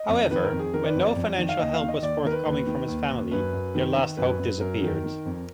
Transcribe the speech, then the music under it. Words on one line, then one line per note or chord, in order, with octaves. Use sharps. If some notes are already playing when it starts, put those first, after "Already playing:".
However, when no financial help was forthcoming from his family, their last hope disappeared.
Already playing: D#5
F2
D#3 B4
A#4
F2
G#4
D#3 A#4
D5
B4
F2
D5
F2
D#3
F5
D#2 D#5
F5
D#3
D#5
D#2 D5
D#3 A#4
B4
D#2 B4
D#3
D#2
D#2
F#2 B4
F#2
D#3
D#3
F#2 B4
F#2
F#2 A#4
D#3
D#3
F2